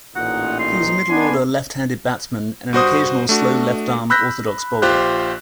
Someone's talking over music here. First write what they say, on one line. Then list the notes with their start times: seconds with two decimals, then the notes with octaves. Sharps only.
He was a middle-order left-handed batsman and an occasional slow left arm orthodox bowler.
0.16 A1 A#2 D#4 F#5
0.60 C6
1.09 B3 D4 G#5
2.73 G2 F#4 C5 D#6
3.29 A3 D4 F#4
4.10 B5 E6 F#6 G6 A#6 B6
4.82 A#1 F4 G4 C5 F#6